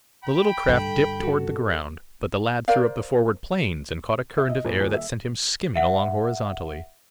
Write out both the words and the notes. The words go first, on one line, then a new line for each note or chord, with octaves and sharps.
The little craft dipped toward the ground, but the lad threw up the forward planes, and caught a current of air that sent him skimming along horizontally.
G5 B5
G2 D3 A4
F#4 A4
A#4 C5 D5 F5
E5
D#5
A#1
D#1
E5
E5 F#5